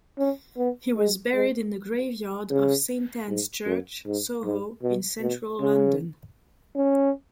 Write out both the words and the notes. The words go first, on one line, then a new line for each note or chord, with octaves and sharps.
He was buried in the graveyard of Saint Anne's Church, Soho in central London.
C#4
B3
G#3
G#3
C#3
G#2
F#2
G#2
G#2
B2
B2
C#3
C#4